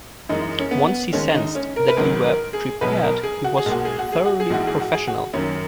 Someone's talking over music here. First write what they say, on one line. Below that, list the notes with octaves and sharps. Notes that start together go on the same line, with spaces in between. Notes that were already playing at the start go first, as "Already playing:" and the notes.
Once he sensed that you were prepared he was thoroughly professional.
F#2 E3 G#3 D#4
C#4
B3
D#2 D#3 G#3 C#4
D#4
C#4
A#4
B4
G#1 G#2 F#3 A#4
A#4
G#4
B1 B2 F#3 B4
A#4
G#4
F#4
G#4
B1 A#2 G#3
F#4
G#4
F#4
G#4
F#4
G#4
A#1 G#2 E3 G#3 F#4
G#4
F#4
G#4
F#4
F#2 D#3 F#3 C#4